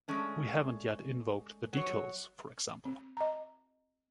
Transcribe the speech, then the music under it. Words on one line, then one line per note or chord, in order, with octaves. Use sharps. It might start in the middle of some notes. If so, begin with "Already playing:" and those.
We haven’t yet invoked the details, for example...
G#3 A3 C#4 D4
F#3 C#5
C4
D#5 A#5